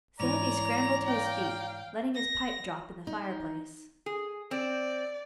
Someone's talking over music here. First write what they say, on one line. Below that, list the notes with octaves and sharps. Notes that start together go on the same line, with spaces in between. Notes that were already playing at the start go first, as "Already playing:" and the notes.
Sandy scrambled to his feet, letting his pipe drop in the fireplace.
G#2 E3 C#5 D5 A#5 F7
F5 G5
A#6
D#4
G#4
C4 D5